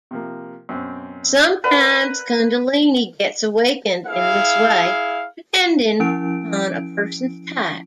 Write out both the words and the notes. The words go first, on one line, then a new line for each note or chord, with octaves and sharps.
Sometimes kundalini gets awakened in this way, depending upon a person's type.
C3 F3 A#3
F#2 B2 C4
A#4 B4 D5 F#5
E4 G#4 F5
F3 C#4 E4 D7